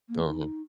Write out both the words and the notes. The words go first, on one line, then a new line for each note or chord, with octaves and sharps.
Uh huh.
A#3
D#4